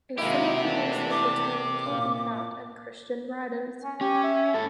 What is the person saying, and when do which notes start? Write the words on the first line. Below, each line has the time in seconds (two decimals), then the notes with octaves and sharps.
A similar use of the term can be found in Christian writers.
0.18 C3 D#3 G#3 A#3 D#4 E4 F#4 G4
0.60 E3 A3 D4 D#5 F#5
1.11 D6
1.85 A#2 F4 D#5
3.84 C#4
4.01 C#4 G4
4.23 E5
4.54 G#2 A4